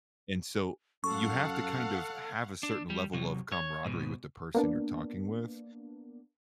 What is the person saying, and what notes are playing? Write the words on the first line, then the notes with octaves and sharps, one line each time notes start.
and so you have to kind of have a certain level of camaraderie with the person you're talking with
F#2 A4 F5 F#5 C#6
D4
G3
C3 F#3
C#5
G#2 B2
A#3 B3 D4